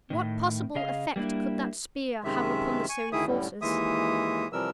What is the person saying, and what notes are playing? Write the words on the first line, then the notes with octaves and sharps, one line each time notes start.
What possible effect could that spear have upon the solar forces?
A2 D#3
C#3 G#4 D#5 F5
G3 A#3 D4 E4
F#2 C3 D#3 G#3 E5
G#5 C#6
D2 D#3 E4 G#4 E5 D#6
F#2 A2 D3 G3
D#2 E3 G#3 E5 D#6
C3 E3 F3 G3 A#4 E6